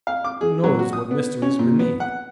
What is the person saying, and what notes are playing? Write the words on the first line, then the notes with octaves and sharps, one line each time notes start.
Who knows what mystery's beneath?'
F5
D6
G#4
F#3
F#4
D#6
B3
C#4
A#2
B3
F#5